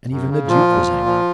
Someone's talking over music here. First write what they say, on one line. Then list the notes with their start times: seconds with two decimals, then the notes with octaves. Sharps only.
And even the Duke was angry.
0.10 F#2
0.29 C#3
0.48 A#2 F3 F4
0.68 A#2
0.87 A#2
1.06 F3